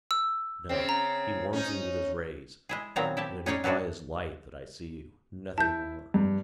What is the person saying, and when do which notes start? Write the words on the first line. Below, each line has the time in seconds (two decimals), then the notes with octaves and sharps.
No; he warms me with his rays, and it is by his light that I see you--nothing more.
0.11 E6
0.69 C#3 C4
0.89 A#5
1.53 C#4 D#4
2.69 G#3 E4 G#4
2.96 A#2 D#3 F#3 B3 C4 A#5
3.17 E4 G4 A5
3.46 C#4 D#4 G#4 C#5 D5
3.64 F#3 G3 C#4 D4 F#4
5.58 E4 A5 G6
6.14 G2